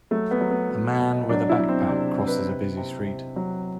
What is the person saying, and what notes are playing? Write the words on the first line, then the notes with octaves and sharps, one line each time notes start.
A man with a backpack crosses a busy street.
F#3 A3
B3
F#3
B3
F#3
B2
F#3 D4
E4
F#3
C4
C3 D4
F#3
B4
C3
C3
C3
F#3